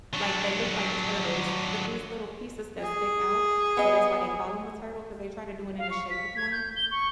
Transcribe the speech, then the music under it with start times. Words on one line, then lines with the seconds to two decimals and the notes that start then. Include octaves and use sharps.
like they look like turtles but these little pieces that stick out so that's why they call them a turtle 'cause they try to do it in the shape of one.
0.14 F#3 D4
2.81 G#4
3.77 B3 D#5
5.79 F5
5.90 C#6
6.10 B6
6.37 G#6
6.52 G6
6.76 G7
6.91 C#6